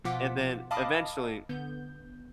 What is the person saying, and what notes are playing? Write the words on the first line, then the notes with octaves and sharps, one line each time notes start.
and then, eventually,
B2 F3 F4 F#5 D6 B6
D#5 F5 A5 B5 D6 D#6
D3 B3 G6